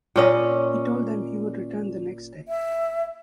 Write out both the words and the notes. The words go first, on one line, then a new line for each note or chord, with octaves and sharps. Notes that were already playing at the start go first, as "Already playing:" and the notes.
He told them he would return the next day.
A#2 C#4 D#5
E5